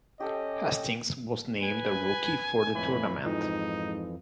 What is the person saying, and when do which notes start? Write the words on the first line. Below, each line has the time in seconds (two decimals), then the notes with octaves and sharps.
Hastings was named Rookie of the Tournament.
0.20 C#4 G4 A4 D#5 G5
1.61 B4 G#5
2.75 F2 A2 E3 B5
3.24 F2 G#2 E3 F3 D#4